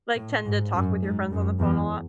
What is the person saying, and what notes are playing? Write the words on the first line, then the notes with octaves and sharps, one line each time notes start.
like tend to talk with your friends on the phone a lot?
A2
G#2
F#2
G#2
F#2
E2